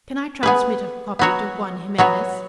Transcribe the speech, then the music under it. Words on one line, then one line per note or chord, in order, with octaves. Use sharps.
Can I transmit a copy to Juan Jimenez?
B3 G#4 B4
F#3 B3 F#4 C#5
F#3 B3 F#4 C#5